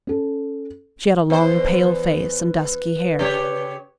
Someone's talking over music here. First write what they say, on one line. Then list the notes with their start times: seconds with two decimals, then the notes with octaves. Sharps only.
She had a long, pale face and dusky hair.
0.07 C#4 A4
1.30 E2 B4 C5
3.19 C#3 G4 C#5